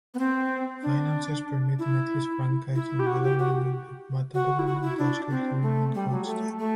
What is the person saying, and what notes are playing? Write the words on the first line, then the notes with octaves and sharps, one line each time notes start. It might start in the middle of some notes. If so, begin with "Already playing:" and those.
Finances permitting at his franchise in Bulawayo, the Matabeleland Tuskers, he remained coach there.
B3
C4
D4
E4
E4
G4
F#4
G4
F#4
F#4
E4
F#4
E4
D4
C4
A3
G3
F#3
A3
A3